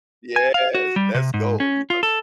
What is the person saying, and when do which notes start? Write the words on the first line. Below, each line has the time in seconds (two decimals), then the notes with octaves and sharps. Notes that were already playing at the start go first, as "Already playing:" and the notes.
Yes. Let's go. You hu
0.36 G#5
0.54 F5
0.75 F#4
0.96 G3
1.15 C3
1.34 G#2
1.60 C#4
1.90 F4
2.03 A4